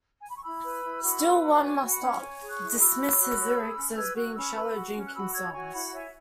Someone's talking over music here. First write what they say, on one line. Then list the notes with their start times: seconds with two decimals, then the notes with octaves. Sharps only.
Still, one must not dismiss his lyrics as being shallow drinking songs.
0.20 G#5
0.29 B5
0.36 C#6
0.43 E4 B5 E6
0.64 B4
0.84 E4
1.02 F#4
1.23 B4
1.42 F#4
1.61 C#5 G#5 C#6
1.81 F#4
1.86 G#5
1.90 F#5 B5
2.01 C#4
2.21 C#5 G#5 C#6
2.40 G#4
2.49 C#6 F#6
2.60 E4
2.71 C#6
2.79 F#4 B5 E6
2.99 C#5
3.19 F#4
3.39 C#5
3.57 G#4
3.77 C#4
3.96 B4 E6 G#6
4.16 F#4 C#6 F#6
4.36 C#4 B5 E6
4.55 B4 B5 E6
4.76 F#4
4.95 C#4
5.07 F#6
5.14 F#4 B5 E6
5.34 C#5 E6 G#6
5.53 F#4 G#5 C#6
5.64 C#6
5.74 E4 F#5 B5
5.93 C#5 E5 G#5